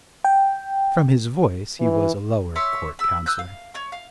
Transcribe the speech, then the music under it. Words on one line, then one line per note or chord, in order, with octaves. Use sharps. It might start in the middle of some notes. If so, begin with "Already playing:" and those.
From his voice he was a lower court councillor.
G5
E3
C#5 E5 C6 D6
B5 E6
D#6 E6 F#6 G6
F5
C#5 C#6
F5